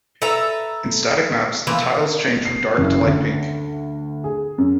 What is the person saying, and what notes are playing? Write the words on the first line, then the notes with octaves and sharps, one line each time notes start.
In static maps, the tiles change from dark to light pink.
A4 B4 E5 A#5
E3 F3 A#3 E5
A#4
C7
F#1
D2
G#4
F#2